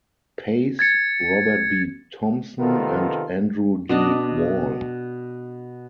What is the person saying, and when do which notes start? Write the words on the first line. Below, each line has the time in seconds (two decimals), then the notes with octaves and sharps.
Pace, Robert B. Thompson, and Andrew D. Wall.
0.79 G#6 A6 C#7
2.59 C3 D#3 B3 F4 A4 A#4
3.89 B2 D4 D#5